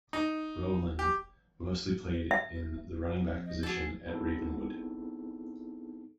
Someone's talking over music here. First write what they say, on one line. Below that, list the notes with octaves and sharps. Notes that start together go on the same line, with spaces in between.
Rowland mostly played in the running back position at Ravenwood.
D#4
G4
E5
F3 C4
D#5
F#4 G#4 A4
B3 C4 D#4 E4 G#4 A4